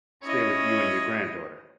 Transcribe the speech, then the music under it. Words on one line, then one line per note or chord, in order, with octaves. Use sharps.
stay with you and your granddaughter?
C#4 E4 C#5 D#5